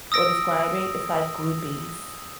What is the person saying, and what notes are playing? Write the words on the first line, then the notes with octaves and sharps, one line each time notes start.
or describing, it's like groupies.
D#6 E6 A#6 D7